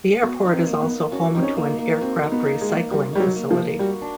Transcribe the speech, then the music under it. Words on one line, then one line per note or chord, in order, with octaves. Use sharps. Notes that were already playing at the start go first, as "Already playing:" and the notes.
The airport is also home to an aircraft recycling facility.
B3 F#4
D#4
C4
A#3
B3
A#3
C#4 F#4
C4 D#4
C#4
A#3
A#3
C4 F#4
D#4
B3
A#3
G#3
A#3
G3 F#4
G3 D#4
F#3
A#3
F3
A#3
G3 F#4
D4